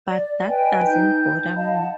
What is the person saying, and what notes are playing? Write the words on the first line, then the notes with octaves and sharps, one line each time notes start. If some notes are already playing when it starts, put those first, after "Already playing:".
But that doesn't bother me.
D5
B4 D#5 G5 G#5
D#4 G6
D#5 F5 A5 B5
F#5 A5